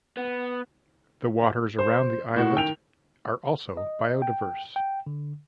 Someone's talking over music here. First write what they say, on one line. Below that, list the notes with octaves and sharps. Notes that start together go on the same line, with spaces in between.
The waters around the islet are also biodiverse.
B3
C5
A2 F#4
D#3 G5 F7
D#5
G5
G5
D3